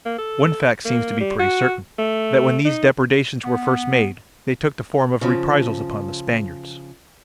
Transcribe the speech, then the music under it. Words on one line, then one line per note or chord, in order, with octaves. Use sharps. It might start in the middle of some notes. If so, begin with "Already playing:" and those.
One fact seems to be pretty certain, that when these depredations were first made, they took the form of reprisals upon the Spaniards.
A#3
A4
A#3
G3
F#4
A3
D#4
B3
C#3 F3